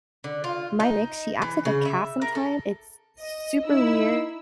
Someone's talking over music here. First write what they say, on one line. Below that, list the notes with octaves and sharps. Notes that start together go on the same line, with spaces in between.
my mix, she acts like a cat sometimes, it's super weird
D3
F4
D#4
E3
C#3
E5
A#4
A4
D#5
D#4 E4 E6